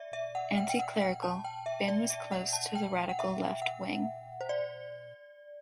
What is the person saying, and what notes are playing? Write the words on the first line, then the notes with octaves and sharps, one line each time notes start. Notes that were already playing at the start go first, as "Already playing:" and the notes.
Anticlerical, Bin was close to the radical left wing.
Already playing: D5 E5
E5
F#5
G5
G5
F#5
G5
A5
G5
E5
D5
E5
F#5
A5
G5
F#5
E5
F#5
C5
D5